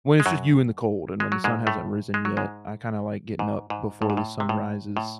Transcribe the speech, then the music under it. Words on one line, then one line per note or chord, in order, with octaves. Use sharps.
when it's just you in the cold, and when the sun hasn't risen yet, I kinda like getting up before the sun rises,
G#3
F#2 F#3
G#3
F#3
G#2 G#3
A2 A3
G#3
F#3
G#2 G#3
G#2
G#2
A2
G#2
A2
C3
A2
A2